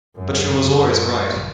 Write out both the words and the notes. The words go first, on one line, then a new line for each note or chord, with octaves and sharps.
But she was always right.
F#2
F#2